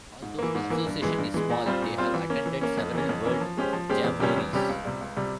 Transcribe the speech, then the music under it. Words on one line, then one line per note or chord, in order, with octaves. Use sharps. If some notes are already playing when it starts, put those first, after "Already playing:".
Although the association is small, they have attended several World Jamborees.
G#2
E3 A#3
G#2
E3 A#3
G2
E3 G#3
G2
E3 G#3
A#2
G3 C4 F4 C5
A#2
G3 C4 F4 C5
E3
A#3 C#4
E3
A#3 C#4
F2
E3 A#3 C#4
F2
E3 A#3 C#4
F3
G#3 C#4 G4 C5
F3
G#3 C#4 G4 C5
E2
C3 G3 C#4 G4
E2
C3 G3 C#4 G4
C#2
C3 G3
C#2
C3 G3